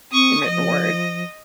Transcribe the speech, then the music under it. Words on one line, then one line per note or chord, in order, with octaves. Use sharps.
in written word.
C4 C#6 D#6
F3 D#5